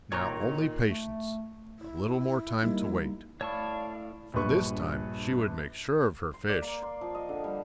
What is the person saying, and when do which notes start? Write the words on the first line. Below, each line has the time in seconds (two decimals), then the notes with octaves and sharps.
Now only patience, a little more time to wait; for this time she would make sure of her fish!
0.12 A#2 D#3 C#5 A#5 C#6
0.86 A3
1.80 E4
2.63 G3 A#3 D#4
3.41 A2 C#5 D5 F5 A5 C#6
4.34 A#1 G2 B4 C#6
6.33 C6
6.49 D5
6.62 A#3
6.82 C6
7.01 F3
7.15 D#5
7.29 D3
7.44 G3